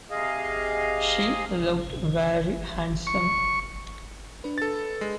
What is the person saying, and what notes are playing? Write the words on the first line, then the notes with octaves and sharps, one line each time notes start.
She looked very handsome.
C3 G#4 D#5 F5
C#6
D4 B4
A4 A6
G#3